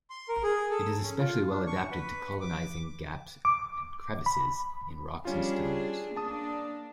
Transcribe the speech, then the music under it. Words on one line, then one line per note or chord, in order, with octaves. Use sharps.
It is especially well adapted to colonising gaps and crevices in rocks and stones.
C6
A#4
G#4
A4
C#4
F4
D4
C#6
B4
D6
D6
B5
G3 C#4 D4 F4 G#4
A#3 D4 A5 D#6